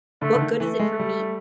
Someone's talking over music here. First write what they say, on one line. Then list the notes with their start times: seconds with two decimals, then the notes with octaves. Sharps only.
What good is it for me?
0.22 D3 A3
0.35 D3
0.41 D#3
0.60 E3 A3
0.79 G#3
0.99 G3